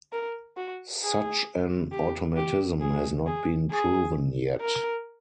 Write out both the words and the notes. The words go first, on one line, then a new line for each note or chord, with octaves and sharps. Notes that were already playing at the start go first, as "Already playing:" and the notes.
Such an automatism has not been proven yet.
A#4
F#4
G#4
G4
G4
G#4
G#4
G#4
A#4